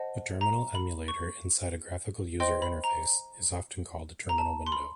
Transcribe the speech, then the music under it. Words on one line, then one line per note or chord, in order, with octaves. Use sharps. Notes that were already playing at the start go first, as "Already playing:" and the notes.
A terminal emulator inside a graphical user interface is often called a terminal window.
Already playing: C5 D#5 F#5 A5
A#5
B5
C#6
C5 D#5 G5 C6
B5
A#5
A#5
A5
C6
B5